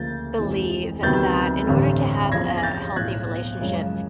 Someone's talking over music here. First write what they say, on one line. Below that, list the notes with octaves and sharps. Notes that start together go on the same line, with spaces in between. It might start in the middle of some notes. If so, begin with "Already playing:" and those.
believe, that in order to have a healthy relationship,
Already playing: D2 C#3 F3 A#3 G6 A6
F1 F2 C3 E3 G#3
D2 C3 D#3 F#3 B3 G6 A6
A1 G2 D3 G3 C4
G1 F2 C#3 F3 G#6 A#6
A#6
G6 A6
B1 A2 F3 F#6 G#6
F#2 C#3 F3 G#3